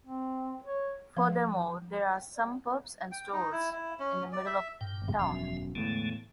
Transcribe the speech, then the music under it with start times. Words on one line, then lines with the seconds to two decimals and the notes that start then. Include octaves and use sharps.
Furthermore, there are some pubs and stores in the middle of town.
0.06 C4
0.65 C#5
1.17 F3
3.12 G5
3.33 D#4
3.52 E4
3.72 E4
4.00 C#4
4.33 D5
4.46 E5
4.81 G2 A#2 G5
5.02 G#1
5.19 E1 F#2 F3 E5
5.75 E2 A2 D3 G#3 A3